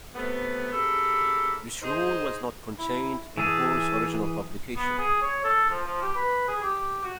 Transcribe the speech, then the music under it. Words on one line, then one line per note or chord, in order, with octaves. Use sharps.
This rule was not contained in Hoare's original publication.
C3 A3 B3
C#3 G4 A4 A#4 B5
D#4 G#4 C5
E4
E3 G#4 E5 G#5 A5
B3
G#4
C#5
A4
F3
F3
G4
B4
G#4
G4
F#4